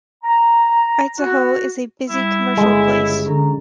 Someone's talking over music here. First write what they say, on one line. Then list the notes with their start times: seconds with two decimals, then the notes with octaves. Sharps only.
Itzehoe is a busy commercial place.
0.23 A#5
1.19 F#4
2.10 G3 E4 E6
2.57 G1 C#3 G#3 A4
3.26 D3 C#4 A4 A#5